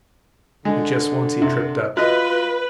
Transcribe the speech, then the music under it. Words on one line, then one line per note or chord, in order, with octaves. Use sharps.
But just once he tripped up.
D3 G#3
C3
F4 F#4 B4 D#5 F#6